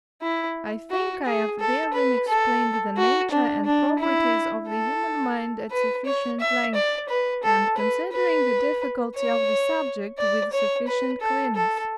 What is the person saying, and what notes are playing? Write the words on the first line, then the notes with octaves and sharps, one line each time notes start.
I think I have therein explained the nature and properties of the human mind at sufficient length, and, considering the difficulty of the subject, with sufficient clearness.
E4
F#4
G#4
A4
B4
A4
F#4
D4
D4
E4
A4
B4
C#5
E5
D5
B4
A4
B4
B4
C#5
D5
C#5
B4
A4
A4